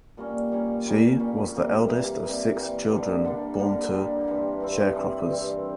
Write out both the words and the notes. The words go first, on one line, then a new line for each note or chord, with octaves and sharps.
She was the eldest of six children born to sharecroppers.
A#2 G3 A#3 C#4
A#2 G3 A#3 C#4
A#2 G3 A#3 C#4
A#2 G3 A#3 C#4
C3 E3 G3 A#3
C3 E3 G3 A#3
C3 E3 G3 A#3
C3 E3 G3 A#3
D3 G3 A#3 D4
D3 G3 A#3 D4
D3 G3 A#3 D4
D3 G3 A#3 D4
G2 E3 G3 C4
G2 E3 G3 C4
G2 E3 G3 C4
G2 E3 G3 C4